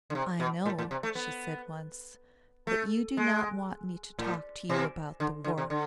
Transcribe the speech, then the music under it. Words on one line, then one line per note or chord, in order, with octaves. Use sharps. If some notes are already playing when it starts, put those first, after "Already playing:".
"I know," she said once, "that you do not want me to talk to you about the War."
D3
C3
B2
A2
A2
C3
A3
B3
A3
G#3
A2
B2
D3
D3
C3
D3